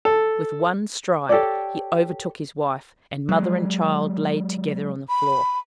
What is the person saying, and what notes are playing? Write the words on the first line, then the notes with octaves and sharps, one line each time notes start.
With one stride he overtook his wife, and mother and child lay together on the floor.
A4
G4 A4 C#5 D5
F#3 G#3
B5